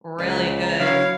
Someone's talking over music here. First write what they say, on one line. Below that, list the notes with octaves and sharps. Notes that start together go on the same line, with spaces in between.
really good.
C#2 A#2 B4
C#3 F#3 A#3 E4 C#5 F5